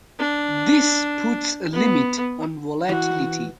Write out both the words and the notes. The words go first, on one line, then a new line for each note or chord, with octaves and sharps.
This puts a limit on volatility.
D4
B3
E3 F#4